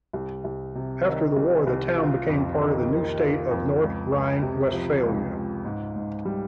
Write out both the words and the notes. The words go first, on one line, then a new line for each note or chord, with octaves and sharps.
After the war the town became part of the new state of North Rhine-Westphalia.
C2
C2
C3
D#3
C2
C2
F4
F2
D#3
A#3
F4
F2
C#2
C#2
C3
F3
C#2
C#2
G#2
G#2
G3